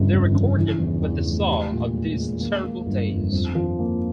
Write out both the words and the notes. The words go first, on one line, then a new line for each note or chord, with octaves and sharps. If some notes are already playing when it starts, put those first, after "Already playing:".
They recorded what they saw of these terrible days.
Already playing: G1 G2 C#3
F2
C#3
E3
E2
E2
F1
G4
A#2
G#3
G#3
A#3
A#3
G1
F2
F2
F3
A#3